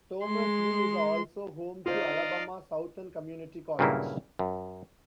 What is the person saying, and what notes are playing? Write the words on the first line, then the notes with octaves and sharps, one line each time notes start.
Thomasville is also home to Alabama Southern Community College.
G#3 C6
D#4 F4 C5 D5 D#5 F5
G2 A#2 C#3 F#3 A#3 E4
F#2